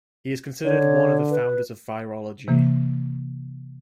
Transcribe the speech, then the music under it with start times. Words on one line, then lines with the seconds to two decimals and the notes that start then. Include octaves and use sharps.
He is considered one of the founders of virology.
0.65 D3 C#5
1.31 B4
2.48 C3 E3 A#3